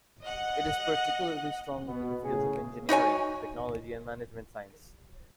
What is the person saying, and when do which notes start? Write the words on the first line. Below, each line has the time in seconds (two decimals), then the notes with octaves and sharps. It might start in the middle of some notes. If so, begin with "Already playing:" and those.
It is particularly strong in the fields of engineering, technology and management science.
0.23 D#5 F#5
1.87 B2 B3
2.24 A2 C#3 G#4
2.89 D#4 F#4 C#5 G#5